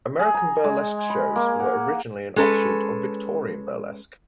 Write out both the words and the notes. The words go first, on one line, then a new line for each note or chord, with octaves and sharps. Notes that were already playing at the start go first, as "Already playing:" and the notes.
American burlesque shows were originally an offshoot of Victorian burlesque.
G#4
A#5
G#3
B5
A#3
F#5
G#3 C#4 A4 B4